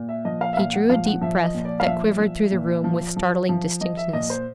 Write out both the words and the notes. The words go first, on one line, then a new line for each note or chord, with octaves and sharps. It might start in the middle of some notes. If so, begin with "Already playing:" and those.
He drew a deep breath that quivered through the room with startling distinctness.
Already playing: A#2
E5
F3 D#5
F5
E5
A#2 F5
F#5
F3 F5
F#5
F3 E5
D#5
A#2
D5
F5
F3 E5
F3
A#2
F3
F3
F3
F3 D#5
E5
A#2 D#5
C5